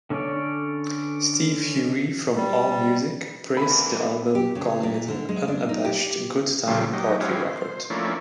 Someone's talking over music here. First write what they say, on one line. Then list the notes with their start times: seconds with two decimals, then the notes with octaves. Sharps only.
Steve Huey from Allmusic praised the album, calling it "an unabashed good-time party record".
0.10 D3 C#4 A4 C#5 D5
2.36 G3
3.57 D3 E3 A#3 B5
4.35 G4
4.55 C#3
4.83 A#2
5.08 D3
5.29 G#3
5.48 D4
5.69 D#4
5.85 G4
6.68 A#2 C#3 F3 G3 A3
6.93 F#3 D#4 G4
7.20 F#3 G#3 C#4 E4 F4 G4
7.48 C5
7.90 F3 A3 A#3 C#4 D4 E4